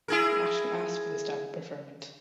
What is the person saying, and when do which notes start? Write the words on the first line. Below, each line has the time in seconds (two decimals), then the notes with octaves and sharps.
I actually asked for this dab of preferment.
0.08 E4 G#4 A#4